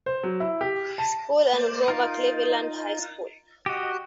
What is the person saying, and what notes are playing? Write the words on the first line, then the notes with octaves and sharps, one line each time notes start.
School and Grover Cleveland High School.
C5
F#3
E4
G4
A5
A#3 C5 D5
D#4 F4 A#4
F#4 G4 D#5